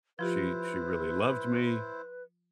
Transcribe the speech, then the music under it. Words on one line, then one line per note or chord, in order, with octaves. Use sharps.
she she really loved me,
F3 E4 F4 G4 B4 C5